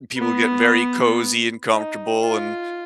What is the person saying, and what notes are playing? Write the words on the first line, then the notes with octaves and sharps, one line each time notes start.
people get very cozy, and comfortable, and
B3
D#4
F4